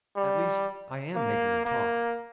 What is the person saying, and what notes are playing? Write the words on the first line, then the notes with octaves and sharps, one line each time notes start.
At least, I am making you talk!
G3
A#3
A#3